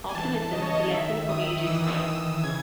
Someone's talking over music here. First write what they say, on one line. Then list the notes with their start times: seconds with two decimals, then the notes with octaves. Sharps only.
Optimism: The Lesson of Ages.
0.09 G#5
0.15 E3 A5
0.53 C#3 D#5
0.62 C#5
0.70 D#5
0.87 D#5
0.91 D#3 E5
1.29 D#3 D#6
1.67 E3 E6
1.76 D#6
1.84 E6
2.05 E3 E6
2.44 C#3 G#6